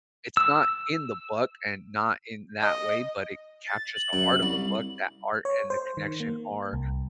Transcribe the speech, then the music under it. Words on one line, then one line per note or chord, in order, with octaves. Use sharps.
It's not in the book, and not in that way, but it captures the heart of the book, that art, and the connection are
E6
D#5
A6
F#7
F#2
C2
C#5
C5
D#3
A#3
C2